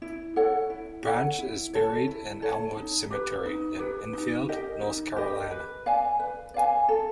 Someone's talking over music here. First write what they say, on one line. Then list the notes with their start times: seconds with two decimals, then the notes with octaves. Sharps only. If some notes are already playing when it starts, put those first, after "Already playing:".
Branch is buried in Elmwood Cemetery in Enfield, North Carolina.
0.02 E4
0.36 A4 C#5 F#5
0.70 E4
1.05 A4 C#5 F#5
1.39 E4
1.73 A4 C#5
2.07 E4
2.42 A4 C#5
2.77 D#4
3.10 G4 B4
3.45 D#4
3.79 G4 B4
4.13 D#4
4.49 G4 A#4 D#5
4.82 D#4
5.16 G4 A#4 D#5
5.51 B4
5.86 D5 F5 G#5
6.19 B4
6.54 D5 F5 G#5
6.89 A4